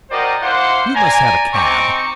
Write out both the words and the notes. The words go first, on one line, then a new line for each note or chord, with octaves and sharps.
"You must have a cab."
F#4 A#4 C5 D5 D#5 G5
E4 C5 F5 F#5 C6 D6
D5 G#5 A#5
C4 D#4 A#5 C#6 D6